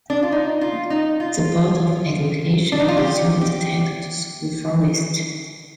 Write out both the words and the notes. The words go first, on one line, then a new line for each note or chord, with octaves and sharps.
The board of education assumed title to school forest.
D4
F4
D#4
F4
D#4
F4
D4
D#4
F4
G4
G4